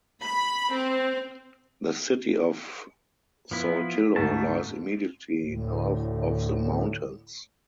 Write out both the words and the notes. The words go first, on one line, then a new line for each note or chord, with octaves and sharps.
The city of Saltillo lies immediately north of the mountains.
B5
C4
F3 B3 E4
D2 G#2 A3 A5
D2 A2